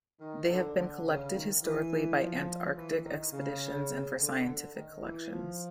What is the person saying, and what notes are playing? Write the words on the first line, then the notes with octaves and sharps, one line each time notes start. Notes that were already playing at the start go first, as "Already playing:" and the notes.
They have been collected historically by Antarctic expeditions and for scientific collections.
D#3
D3
D3
C#3
D#3
E3
F3
E3
D#3
C#3
D3
D3
D#3
E3
F3